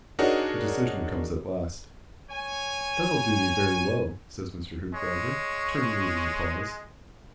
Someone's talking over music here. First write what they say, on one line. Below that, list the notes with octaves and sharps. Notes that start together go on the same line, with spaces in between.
The decision comes at last. "That'll do me very well," said Mr. Hoopdriver, terminating the pause.
D4 D#4 F#4 G#4 A#4 C#5
C#5 G#5
G#3 C#5